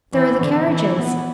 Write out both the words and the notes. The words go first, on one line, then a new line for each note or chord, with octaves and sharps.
'There are the carriages.'
E3
D3
E3
B3